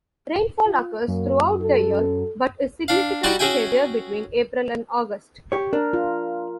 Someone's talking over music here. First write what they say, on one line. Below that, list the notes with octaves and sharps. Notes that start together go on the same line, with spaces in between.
Rainfall occurs throughout the year but is significantly heavier between April and August.
F4
F#2 A#3
A4
D4 F5
G3 D#4 F#4 G4 D5 F#5
C#4 F#4 G#4 E5 G5 G#5
G4 C#5
D4 A#4
F4